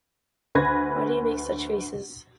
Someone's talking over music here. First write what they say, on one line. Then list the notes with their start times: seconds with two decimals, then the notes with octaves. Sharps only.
Why do you make such faces?
0.55 D2 B4 B5 G#6 A#6